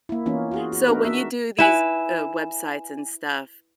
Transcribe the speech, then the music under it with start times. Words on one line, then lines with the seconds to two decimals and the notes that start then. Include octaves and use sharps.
So, when you do these, uh, websites and stuff,
0.09 A#3 E4
0.26 E3 A#3 B3 C#4 D#4 F4
0.51 F4 F#4 G#4
0.72 F#4
0.87 B3 D4 D#4 F#4 A#4 B4
1.04 F#4 E5
1.59 E4 B4 G#5 E7